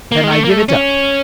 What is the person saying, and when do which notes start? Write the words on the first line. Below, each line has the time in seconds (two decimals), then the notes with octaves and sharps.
"Then I give it up."
0.12 A#3
0.24 G#3
0.31 A3
0.44 A#3
0.49 A3
0.69 C#4